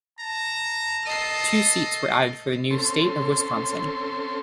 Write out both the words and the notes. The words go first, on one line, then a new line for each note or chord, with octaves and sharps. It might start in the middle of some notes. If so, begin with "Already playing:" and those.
Two seats were added for the new State of Wisconsin.
A5 A#5
A4 D#5 C7
C4 C#4 A4 C6